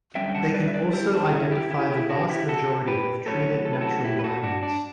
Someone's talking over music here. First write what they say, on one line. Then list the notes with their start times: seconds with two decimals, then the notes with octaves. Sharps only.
They can also identify the vast majority of treated natural diamonds.
0.15 F#2 D3 G3 C#4 E5 G5
0.29 G5
0.35 F#5 A5
0.54 B4 D5
0.68 E5
0.74 B4 D5
0.93 E4 G4
1.13 D4
1.32 C#4 E4
1.51 E4 G4
1.71 E4 G4
1.90 E4 G4
2.09 D4 F#4
2.30 E4 G4
2.48 F#4 A4
2.87 G4 B4
3.26 A2 F#3 C#4 A4 C#5
3.65 A4
3.73 B4
3.81 F#4 A4
3.99 F#4
4.04 E4 G4
4.19 B4
4.24 F#4 A4
4.43 D4 F#4
4.63 D4